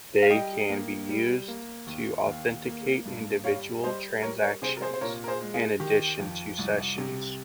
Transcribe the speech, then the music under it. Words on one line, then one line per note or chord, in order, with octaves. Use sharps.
They can be used to authenticate individual transactions in addition to sessions.
F5
G3 D#5 G5
A#3
G3
A#3
D#2
D#2
A#3
G2
G3 C#5 F5
G3 C5 D#5
G3 A#4 C#5
A#4 C#5
C3 G#4 C5
A#4
G#4 C5
C5
A#2 A#4 C#5
A#4
G#4 C5
G#3
F4 G#4
D#3 G4
F2
C2
C3